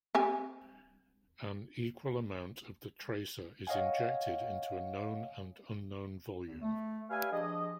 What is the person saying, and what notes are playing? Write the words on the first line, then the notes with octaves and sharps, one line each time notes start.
An equal amount of the tracer is injected into a known and unknown volume.
C4 G4 G#5
C#5 D#5 F5 F#5 G#5
E2
A3
G4 B4 D5 E5 F5 G#5
F3 D4 G4 G#4 D#5